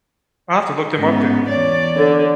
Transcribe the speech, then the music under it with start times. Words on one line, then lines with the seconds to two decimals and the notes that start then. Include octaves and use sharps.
I'll have to look them up, then.
0.99 G#2 B3 C#4
1.48 E2 C#5 D5
1.97 D3